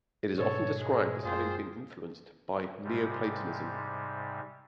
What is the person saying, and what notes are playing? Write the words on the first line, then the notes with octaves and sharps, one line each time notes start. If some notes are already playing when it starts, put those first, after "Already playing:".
It is often described as having been influenced by Neoplatonism.
G#2 B2 A4 C#5
G#3 G#4
F#2 A#3 F4 G#4 C5 G5
G#2 C3 G3